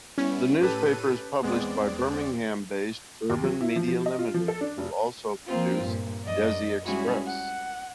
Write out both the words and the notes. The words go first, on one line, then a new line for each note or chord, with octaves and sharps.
The newspaper is published by Birmingham-based Urban Media Limited who also produce "Desi Xpress".
G3 B3 C#4 E4
A2 G4 A4 B4 A5 D#7
E2 G#3 B3 C4 D5
D#2
F#3
E4
F3
F3
D#5
F4
F3
A4
D4
F1
F3 A#3 C4 F4
G2 A#2
F#2 D5 D#5
G3 G#3 C#4 E4 F#4 G#4
F#5